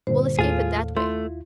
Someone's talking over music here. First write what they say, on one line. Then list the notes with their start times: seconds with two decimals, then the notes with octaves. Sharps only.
We'll escape it that way.
0.07 G2 A#2 D3 C5
0.39 D#2 A2 F4 G#4 A4 F5
0.97 A3 E4 F4 C6